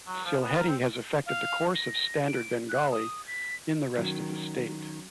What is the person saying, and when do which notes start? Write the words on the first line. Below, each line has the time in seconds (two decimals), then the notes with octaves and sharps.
Sylheti has affected the course of Standard Bengali in the rest of the state.
0.07 F#3
0.25 F3
0.41 B3
0.56 A#4
0.68 C4
1.26 F5
1.75 A#6
2.27 D7
2.69 F#6
2.92 D#6
3.28 B6
3.97 D#3 F#3 C#4